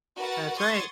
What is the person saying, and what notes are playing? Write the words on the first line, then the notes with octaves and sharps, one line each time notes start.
That's right.
F#4 A#4 B4 F#5 A6
C6 C#6 D#6 G#6 A6